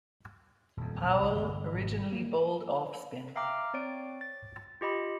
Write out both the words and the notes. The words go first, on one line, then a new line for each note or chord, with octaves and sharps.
Powell originally bowled off spin.
D#1 F2
A#1 F#2
C2 D#3 E3
G1
G#1 B2
A#3
E5 F5 G5 A#5 D6 F6
C4 C#5 D5 D7
A6
F4 G4 D#5 B5